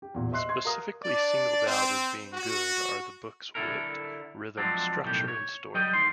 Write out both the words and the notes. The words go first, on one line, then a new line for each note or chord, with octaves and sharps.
Specifically singled out as being good are the book's wit, rhythm, structure, and story.
G4
E2 A#2
C5 D#5 E5 C6 F#6 C7
C6 G#6
A#4 F5 A#5 D#6
D4 D5
C4
F#4
D3 E4 A4 A#4
F3 F#3 G#3 C4 D4
B1 A2 D#3 G4
C#5
F#3 G3 D#5 G5
D2 D#3 C6